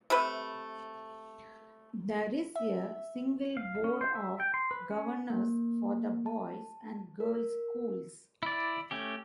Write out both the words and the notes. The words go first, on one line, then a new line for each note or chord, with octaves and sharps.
There is a single board of governors for the boys' and girls' schools.
C3 A3 B4
E5
F5
C#4
C5
E5
G5
C6
B4
C#4
A#3
A5
A#4
E4 D5
A3 C#4 G4